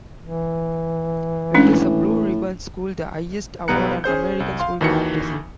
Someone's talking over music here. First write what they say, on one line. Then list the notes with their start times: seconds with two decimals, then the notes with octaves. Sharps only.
It is a Blue Ribbon School, the highest award an American school can receive.
0.22 E3
1.54 A2 G#3 C#4 D4
3.68 B1 G3 B3 A#5 F#6 C#7
4.04 C#4 G#4 C5 G6
4.40 C2
4.59 F5 C6
4.81 D#2 D#3 E3 F#4 C#7